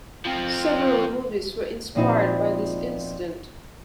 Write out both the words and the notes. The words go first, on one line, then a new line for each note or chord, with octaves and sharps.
Several movies were inspired by this incident.
F3 C4
A#2 F3 C4 D#4 E4 F#4